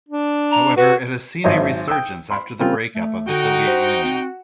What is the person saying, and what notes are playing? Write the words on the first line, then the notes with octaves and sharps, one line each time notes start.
However, it has seen a resurgence after the break-up of the Soviet Union.
D4
A#5
F#4 B4
G#1 F#3 C5 C#5 D#5 E5
G5 D#6 E6
B5 C6
C#3 G3 A#3 C4 F4
A3
D3 D#4 F#4 G5
C5
C4